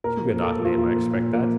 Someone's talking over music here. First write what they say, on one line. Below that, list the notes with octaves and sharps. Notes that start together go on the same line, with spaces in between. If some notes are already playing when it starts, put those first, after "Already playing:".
Huguenot name I expect that.
A#2 A#4
F3 A#3
A#2 A4
F3 A#3
F4
A#2 F4
F3 A#3
A#2
F3 A#3